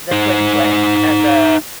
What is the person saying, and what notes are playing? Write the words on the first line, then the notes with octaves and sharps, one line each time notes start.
the twin flame, and the
D#4 C5